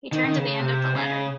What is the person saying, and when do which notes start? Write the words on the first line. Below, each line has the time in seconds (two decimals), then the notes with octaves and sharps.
He turned to the end of the letter.
0.13 D#3
0.25 D#3
0.36 C#3
0.59 C3
0.95 C#3